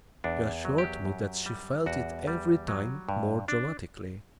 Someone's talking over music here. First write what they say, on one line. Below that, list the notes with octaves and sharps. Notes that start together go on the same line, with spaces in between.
She assured me that she felt it every time more dramatically.
E2 D4
F#3
G4
F#2
G3
E2 F#4
G3
F#3
G2
D4